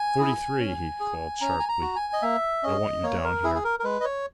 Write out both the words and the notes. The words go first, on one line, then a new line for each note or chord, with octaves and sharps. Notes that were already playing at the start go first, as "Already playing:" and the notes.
"Forty-three," he called sharply, "I want you down here."
Already playing: G#5
E4 G#4
C#4
G#4
C#4 A#5
G#5
A#5
F#4
G#5
D#5
A#3 E5
C#4 G#4 D#5
A#3 C#5
A#4
E4 G#4
G#4
A#4
A#4
G#3 B4
D#5
C#5